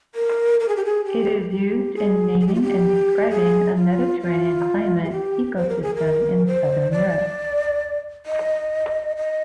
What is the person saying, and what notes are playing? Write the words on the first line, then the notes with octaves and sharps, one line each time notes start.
It is used in naming and describing a Mediterranean climate ecosystem in Southern Europe.
A#4
A#4
G#4
G4
G#4
G4
G4
G#4
G#4
G4
F4
G4
G#4
F4
F4
G#4
G4
C5
A#4
G#4
A#4
C5
D5
D#5
D#5